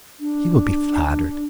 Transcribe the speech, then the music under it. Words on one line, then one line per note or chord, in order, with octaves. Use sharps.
He will be flattered.
D4